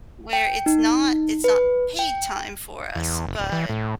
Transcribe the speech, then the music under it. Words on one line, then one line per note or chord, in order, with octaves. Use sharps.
Where it's not it's not paid time for us, but,
G5
D#4
B4
G5
E2
F#1
D1
E3
A2